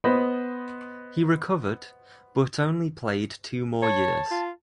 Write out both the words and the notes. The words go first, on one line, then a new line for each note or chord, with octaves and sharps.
He recovered, but only played two more years.
B3 B4 C5 D#5 B5
C#5 A5
F4